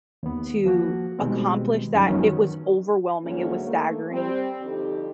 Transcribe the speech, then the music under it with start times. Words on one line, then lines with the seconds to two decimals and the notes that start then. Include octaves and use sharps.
to accomplish that, it was overwhelming, it was staggering.
0.23 D#2 B3
0.65 F3 A#3 F#4
1.19 B2 D#3 G3 G#3 C4
1.95 F#2 D#3 G#3
2.08 D#3 F3 F#3 B3 C#4
3.24 D2 G#2 D3 F#3 A#3 C#4
3.64 A3 A#3
4.11 G3 C4
4.61 F2 D3 G3 D#4 G4